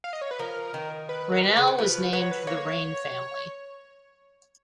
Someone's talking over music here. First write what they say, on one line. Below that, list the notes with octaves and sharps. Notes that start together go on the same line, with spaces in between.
Rainelle was named for the Raine family.
F5
D#5
C#5
B4
F3 A#4
D#3
B4
A#4
B4
C#3
D#3
F3 B4
F#3 B4
C#5
B4
A#3 C#5